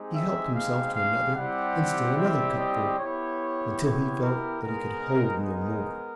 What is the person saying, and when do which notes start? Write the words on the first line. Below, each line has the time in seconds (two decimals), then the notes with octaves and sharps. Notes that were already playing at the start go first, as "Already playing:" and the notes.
He helped himself to another and still another cupful, until he felt that he could hold no more.
Already playing: G#3 C4 D#4 G4
0.13 E5
0.54 F5
0.95 F5
1.35 G3 C4 E4 G4 F#5
2.17 E5
2.58 D#5
2.98 B3 E4 G4 C#5
3.81 C#5
4.21 A#4
4.61 G#3 B3 D#4 A#4
5.43 A#4